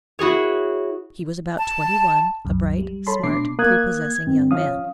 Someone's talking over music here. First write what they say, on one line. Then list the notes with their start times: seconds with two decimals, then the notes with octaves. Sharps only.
He was about twenty-one, a bright, smart, prepossessing young man.
0.19 E4 F#4 G#4 C#5
1.57 A5
2.45 C2 F#2
2.78 G3
3.07 A4 C#5 A5 B5 C6
3.24 B2 A3 D4 D6 C7
3.59 A#3 D#6 F#6 G#6
3.97 G#6
4.27 G2 C4
4.51 F3 C#4 F5 D#6